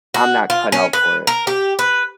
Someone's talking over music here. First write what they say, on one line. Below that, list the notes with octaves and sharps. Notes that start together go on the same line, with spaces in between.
I'm not cut out for it.
F#4
F4
C#4
B4
A#4
G4
B4